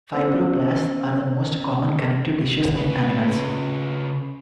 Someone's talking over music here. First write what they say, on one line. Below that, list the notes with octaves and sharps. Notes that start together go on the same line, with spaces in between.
Fibroblasts are the most common connective tissues in animals.
B3 C#4 C5 E6
C#3 B4